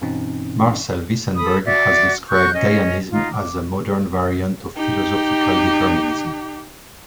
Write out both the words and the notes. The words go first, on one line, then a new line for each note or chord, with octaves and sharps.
Marcel Wissenburg has described Gaianism as a "modern variant of philosophical determinism".
G2 B2 E3 C4 C#4 D#4
A4 B5 D#6
F#4 D5 E5
F#4 C#6 F#6 G6
C#4 D#5
D#4 F4
D6
D#4 G4